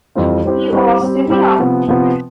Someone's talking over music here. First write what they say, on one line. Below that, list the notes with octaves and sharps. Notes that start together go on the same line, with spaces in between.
You are still young.
F2 E3 G3 C4 F4
G3 C4 E4 G4 C5
G3 C4 E4 G4 C5
G3 C4 G4
G3 C4 G4
C3 F3 B3
C3 F3 B3